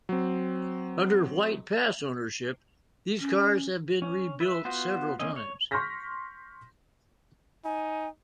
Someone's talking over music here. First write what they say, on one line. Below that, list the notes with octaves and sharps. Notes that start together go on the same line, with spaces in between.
Under White Pass ownership, these cars have been rebuilt several times.
F#3 C4
C#4
C#4
B4 E5
B3 F4 F#4 B4 C5
A#3 C4 C#4 D#5
C#5
C6 C#6 F6 G6 A#6 B6
D#4 G#5